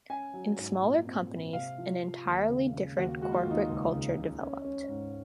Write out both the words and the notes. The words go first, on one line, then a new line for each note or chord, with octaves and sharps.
In smaller companies, an entirely different corporate culture developed.
C#4 G#5
F#3
G#2
A#2
C4
C4
C3 F5
F3
F3
D#2
C#3
C#3
D#2 F#4
G#3 F#4
F4
D#2
D#4
C#2
C#3
C#3
C#4
C#4
G#2